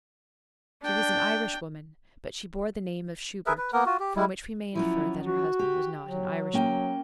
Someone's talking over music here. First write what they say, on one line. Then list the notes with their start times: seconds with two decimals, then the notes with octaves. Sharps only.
She was an Irishwoman; but she bore the name of Shubert, from which we may infer that her husband was not an Irishman.
0.83 D4 G5
3.46 G#4 A#4 B4 E5
3.58 B4
3.72 A#3 B3 A#4
3.86 F4 F#4
4.00 G4
4.16 G3 G#3 E4
4.75 F3 F#3 C#4 E4
5.26 F#4
5.59 G4
6.05 F#3
6.54 A#3 C#4 G5